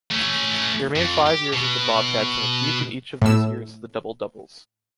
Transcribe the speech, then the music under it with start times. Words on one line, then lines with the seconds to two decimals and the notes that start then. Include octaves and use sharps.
He remained five years with the Bobcats and achieved in each of these years the Double-Doubles.
0.11 A3 C#4
0.96 F2
1.27 G4
1.53 B2
3.22 A2 E6